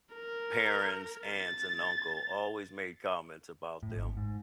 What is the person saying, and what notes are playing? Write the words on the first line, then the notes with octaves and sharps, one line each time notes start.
parents, aunts and uncle always made comments about them,
A#4
A6
A2
G#1
G#2